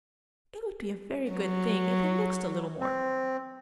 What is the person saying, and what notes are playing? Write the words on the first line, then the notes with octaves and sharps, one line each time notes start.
It would be a very good thing if they mixed a little more.'
F#3
C4